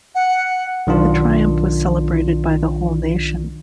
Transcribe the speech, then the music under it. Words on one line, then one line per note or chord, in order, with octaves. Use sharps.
The triumph was celebrated by the whole nation.
F#5
B1 D#3 D4 F4